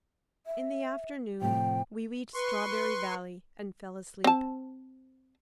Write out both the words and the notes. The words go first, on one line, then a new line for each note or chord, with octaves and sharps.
In the afternoon we reached Strawberry Valley and fell asleep.
E5
A2 C3 F3 G5
B4 C6 C#6
C4 A5